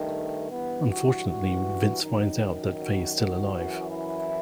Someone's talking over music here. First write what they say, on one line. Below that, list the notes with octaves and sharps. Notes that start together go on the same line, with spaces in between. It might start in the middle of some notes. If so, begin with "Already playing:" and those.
Unfortunately, Vince finds out that Fay is still alive.
Already playing: G2 D#3 A3
G2 E3 B3
F#4
F#4
F#2 D#3 D#4
F#4
F#4
F#2 E3
E4